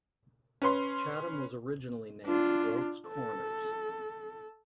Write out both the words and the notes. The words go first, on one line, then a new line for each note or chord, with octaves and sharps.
Chatham was originally named Groats Corners.
C#4 B4 C6
D4 F4
A4